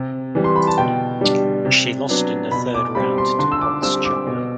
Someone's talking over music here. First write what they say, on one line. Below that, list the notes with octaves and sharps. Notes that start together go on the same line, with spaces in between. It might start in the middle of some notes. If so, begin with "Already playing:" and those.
She lost in the third round to Ons Jabeur.
Already playing: C3
E3 G3
C6
B5
A5
B2 G5
G3 D4
C3
F#3 B3 D4
B2 B5
D6
G3 C4 B5
C6
D3 C6
E6
D6
G3 C4 E6
D6
B2